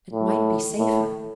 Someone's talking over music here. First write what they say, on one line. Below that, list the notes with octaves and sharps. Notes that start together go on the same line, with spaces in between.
It might be safer.
A2
A2